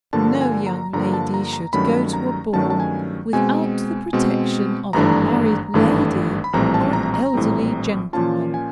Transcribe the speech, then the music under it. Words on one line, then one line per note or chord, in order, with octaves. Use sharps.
No young lady should go to a ball, without the protection of a married lady, or an elderly gentleman.
G2 D3 F3 A#3 A5
G#5
A#5
G2 D3 F3 A#3 A#5
A5
A#5
A#5
G2 D#3 F#3 A3 C#4 B5
A#5
G2 D#3 F#3 A3 C#4 A5
A5
G#5
B2 G#3 C4 G#5
B2 G#3 C4
G#1 G2 E3 A3 D4 A#5
G#1 G2 E3 A3 D4
B5
A#1 A2 E3 G3 C4 A#5
A5
A#5
A#5
A#1 A2 E3 G3 C4
A#2 F3 A#3 C#4 F4 A5
G#5